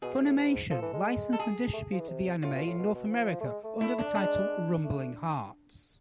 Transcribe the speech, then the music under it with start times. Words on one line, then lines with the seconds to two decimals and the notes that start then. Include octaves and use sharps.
Funimation licensed and distributed the anime in North America under the title "Rumbling Hearts".
0.02 B2 G#4
0.14 C3
0.24 A2
0.37 G#2
0.71 F3 A4
0.82 E3
0.94 G#3
1.33 A4
1.39 G#4
1.74 A3
1.92 F3
2.01 E3
2.08 C3
2.42 A2 F4
2.55 B2
2.66 A2
2.78 B2
2.95 B2
3.07 E3
3.12 F3
3.41 A3
3.47 G#3
3.64 A3
3.81 A3 E4
3.99 D4
4.15 G#3 D4
4.84 A3